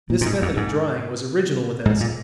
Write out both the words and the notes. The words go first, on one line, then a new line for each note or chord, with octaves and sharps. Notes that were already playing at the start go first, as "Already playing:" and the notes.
This method of drying was original with Edison.
A#2
A#2
G#2
F2
G#2
G#2
A#2